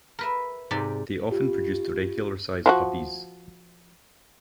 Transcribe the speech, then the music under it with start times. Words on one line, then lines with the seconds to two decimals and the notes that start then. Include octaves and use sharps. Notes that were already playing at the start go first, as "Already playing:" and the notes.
They often produced regular-size puppies.
0.19 A#4 B4 E5
0.71 G#2 C3 D5
1.31 F4 G4
2.66 F3 F4 F#4